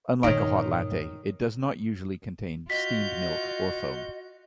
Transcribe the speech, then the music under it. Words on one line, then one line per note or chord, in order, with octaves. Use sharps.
Unlike a hot latte, it does not usually contain steamed milk or foam.
G2 A#2 D#3 D#4 C#5 D7
F4 F#4 D#5 G6 B6